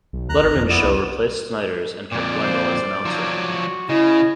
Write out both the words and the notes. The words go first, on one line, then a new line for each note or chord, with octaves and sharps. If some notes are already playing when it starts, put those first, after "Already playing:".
Letterman's show replaced Snyder's and kept Wendell as announcer.
B1
D#2 A#5 F#6
G#1
F2
B3 E4 D5
C2
F2 A#2 D5
C5
F3 F#3 D#4
F#4
C#3 E4 D#5